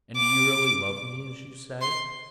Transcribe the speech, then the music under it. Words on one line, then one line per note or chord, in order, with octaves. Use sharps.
"And do you really love me as you say?"
D6
C6